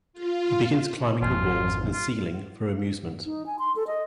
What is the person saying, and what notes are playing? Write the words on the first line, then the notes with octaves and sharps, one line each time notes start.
He begins climbing the walls and ceiling for amusement.
F4
G#1 F2 F4
F4
D#4
G#5
C6
A4
D#5